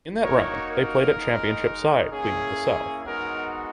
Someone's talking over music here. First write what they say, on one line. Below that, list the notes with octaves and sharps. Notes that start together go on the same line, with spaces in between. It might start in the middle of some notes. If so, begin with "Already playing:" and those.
In that round they played at Championship side Queen of the South.
A#3 D#4 F#4 A#4 C#5
A#4
G#3 D#4 F#4
A#3 C#4 E4 G#4
G#3 B3 D#4 F#4 A#4